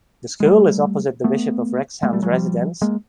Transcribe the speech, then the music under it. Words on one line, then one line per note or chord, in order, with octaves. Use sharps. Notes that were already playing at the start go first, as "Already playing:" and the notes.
The school is opposite the Bishop of Wrexham's residence.
G#3
G3 A3
A3 B3
G#3 A#3
G3 A3
F#3 G#3
F3 G3
G#3 A#3